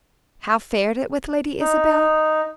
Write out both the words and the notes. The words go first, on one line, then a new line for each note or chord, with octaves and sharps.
How fared it with Lady Isabel?
D#4